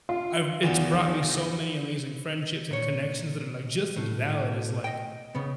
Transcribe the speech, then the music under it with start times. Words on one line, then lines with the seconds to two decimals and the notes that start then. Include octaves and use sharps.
I've it's brought me so many amazing friendships and connections that are like just as valid as, like,
0.09 F4
0.63 E2 D#3 E3
2.71 A#2 C#5
3.96 A2
4.84 D#5 G5
5.35 C#3 B3